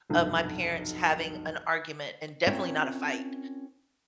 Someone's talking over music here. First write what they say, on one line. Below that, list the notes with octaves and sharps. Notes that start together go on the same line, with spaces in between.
of my parents having an argument, and definitely not a fight.
F1 B1 G2
C4 C#4 F4 A#4 C5 E5